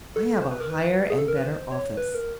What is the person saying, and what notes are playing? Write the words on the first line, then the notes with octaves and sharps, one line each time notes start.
I have a higher and better office.
A4
C5
B4
A#4
B4
G#4
A4
A#4
B4
C5
C#5
B4
A#4